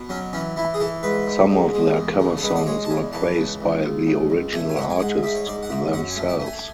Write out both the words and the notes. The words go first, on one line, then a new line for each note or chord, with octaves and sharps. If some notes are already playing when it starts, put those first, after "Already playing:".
Some of their cover songs were praised by the original artists themselves.
Already playing: B2
F#3 C#4
E3 C#4
E3 E4
G#4
E3 A4
G#2 B4
G#2
G#2
G#3
E2
C#3
A4
G#3 B4
D5
G#3 C#5
A5
E2 G#5
E3 A5
C#2
C#2
C#2
C#2
C#2
A3 G#5
G#5
G#2 F#5
G#5
G#2 F#5
G#2 E5
C#5
G#2 D5
F#5
G#2 E5
F#2 F#5
G#5
A3
A5
A3
G#5